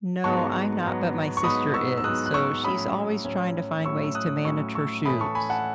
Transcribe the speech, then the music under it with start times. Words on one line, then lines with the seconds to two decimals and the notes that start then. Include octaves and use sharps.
No, I'm not, but my sister is. So, she's always trying to find ways to manage her shoes.
0.24 G#2 F#3 B3 A5 C#6
0.84 G#2 F#3 B3
1.37 C#6
1.44 G#2 F#3 B3 B5 D#6
1.74 C#6 E6
1.98 E6
2.04 G#2 F#3 B3 D#6 F#6
2.26 F#6
2.34 C#6 E6
2.64 A2 F#3 C#4 B5 D#6
3.25 A2 F#3 C#4
3.84 A2 F#3 C#4 C#6 E6
4.04 E6
4.15 D#6 F#6
4.45 A2 F#3 C#4 C#6 E6
4.75 C#6 E6
5.05 A2 E3 A3 C#4 B5 D#6
5.21 A5 C#6
5.35 G#5 B5
5.50 F#5 A5